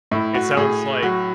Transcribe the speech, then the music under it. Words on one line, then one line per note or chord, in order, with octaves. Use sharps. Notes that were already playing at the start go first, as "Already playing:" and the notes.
it sounds like
A2 E4
F#4
A2 G#4
F#3 F#4